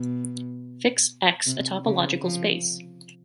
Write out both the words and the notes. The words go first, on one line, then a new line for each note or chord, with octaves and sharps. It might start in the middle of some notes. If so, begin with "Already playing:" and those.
Fix "X" a topological space.
Already playing: B2
C3
C#3
F3